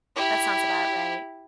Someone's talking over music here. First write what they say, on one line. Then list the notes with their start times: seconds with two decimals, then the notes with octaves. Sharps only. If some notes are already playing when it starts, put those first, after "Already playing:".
That sounds about right.
0.16 E4 G4